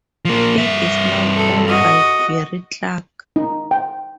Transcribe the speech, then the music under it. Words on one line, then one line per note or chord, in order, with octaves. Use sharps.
It is now owned by Gerry Clarke.
F3 A#3
G2 E5
A4
F#4 D#5
D#4
G5